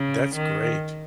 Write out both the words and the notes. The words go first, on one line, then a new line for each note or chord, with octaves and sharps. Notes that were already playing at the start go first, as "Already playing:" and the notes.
That's great.
Already playing: C#3
D#3